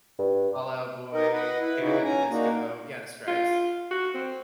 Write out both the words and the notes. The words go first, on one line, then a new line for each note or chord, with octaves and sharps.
Fall Out Boy, Panic at the Disco? Yeah, The Stripes.
G2
D#4 G4 A#4 D#5
B4 D#5 F#5
E4 B4
C#3 E3 D#4 E4 F#4
C#4 G#5 A#5
A#3 D4 D#4 F#4
F4
F#4
C4